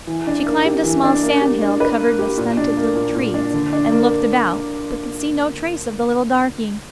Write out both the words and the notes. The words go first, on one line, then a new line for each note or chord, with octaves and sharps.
She climbed a small sand-hill covered with stunted little trees and looked about, but could see no trace of the little darky.
E3
D4
A#3
G4
E3
D4
A#3
G4
D4
B4
A#3
G4
A#2
D4
A#3
A#2
A#2
D4
D3
D4
A#3